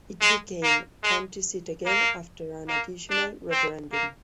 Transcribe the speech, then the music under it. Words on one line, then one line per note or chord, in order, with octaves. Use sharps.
It became county seat again after an additional referendum.
G#3
A#3
G#3
A#3
A#3
D4
C4
A#3